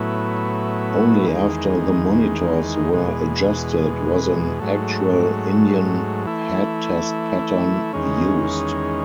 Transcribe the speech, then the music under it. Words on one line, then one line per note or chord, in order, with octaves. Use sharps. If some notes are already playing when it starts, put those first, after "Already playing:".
Only after the monitors were adjusted was an actual Indian-head test pattern used.
Already playing: A2 F#3 B3 E4
E2 D#3 G#3
E2 B2 G#3
G#2 F#3 A3
E3 A3 E4
E2 D#3 G#3 C#4